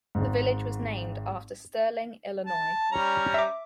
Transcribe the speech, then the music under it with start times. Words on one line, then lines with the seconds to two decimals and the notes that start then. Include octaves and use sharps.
The village was named after Sterling, Illinois.
0.15 G#1 G#2
2.47 A5
2.92 G3 C#4 A#5
3.34 E5 D6